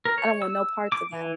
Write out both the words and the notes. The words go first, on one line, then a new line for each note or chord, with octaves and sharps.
I don't want no parts of that.
A#4
C#5
E6
D6
E3